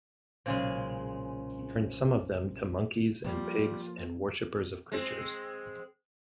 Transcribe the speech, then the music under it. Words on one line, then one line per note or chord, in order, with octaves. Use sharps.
He turned some of them to monkeys and pigs and worshippers of creatures.
B1 A#2 C#3 G#3 C#4 C5
F3 G3 A#3 F4
G#3 C4